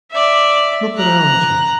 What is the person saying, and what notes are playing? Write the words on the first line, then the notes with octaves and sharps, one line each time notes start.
Look around you.
D5 E5
A#5 F#6